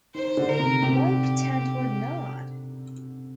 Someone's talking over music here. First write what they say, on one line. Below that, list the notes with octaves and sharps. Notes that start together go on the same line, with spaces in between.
Why pretend we're not?
D#3 C5
D3
A#4
C3
C3 G4